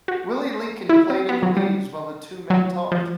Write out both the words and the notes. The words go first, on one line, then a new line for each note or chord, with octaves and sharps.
Willie Lincoln played in the leaves while the two men talked.
F#4
E4
C4
B3
F#3
G3
F#3
F3